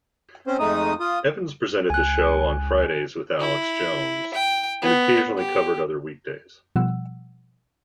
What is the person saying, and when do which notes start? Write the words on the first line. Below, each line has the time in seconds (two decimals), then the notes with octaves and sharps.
Evans presented the show on Fridays with Alex Jones, and occasionally covered other weekdays.
0.47 C4 C#4 C5
0.59 F2 G#3 A3 D#4 D#6
1.00 F4 D#6
1.90 C#2 G#5 F#6
3.40 E4
4.34 G5
4.82 B3
5.38 G4
6.76 B2 F3 G3 F#5 E6